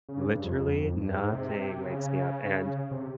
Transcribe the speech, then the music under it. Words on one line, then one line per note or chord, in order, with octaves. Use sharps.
Literally, nothing wakes me up, and
C#3
G2
F2
F2
F2
G2
G#2
C3
C3
C#3
C3